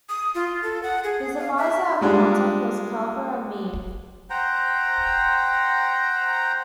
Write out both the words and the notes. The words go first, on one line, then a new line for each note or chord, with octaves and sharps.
His adviser at Caltech was Carver A. Mead.
D#6
F4
A4
F#5
G#4
F5
E5
G3 G#3 D4 F4
C5 F#5 G5 A#5